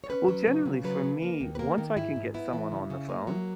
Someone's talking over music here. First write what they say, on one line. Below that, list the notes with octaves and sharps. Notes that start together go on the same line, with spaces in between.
Well, generally, for me, once I can get someone on the phone,
C#5
C#4 B4
F#3
C#3
C#3
F#3 B4
C#3
A#3
D#2
B4
A#3 A#4
D#3
G#2 E4
G#2
B3 E4
E3
C#3
C#3
A#3
F#3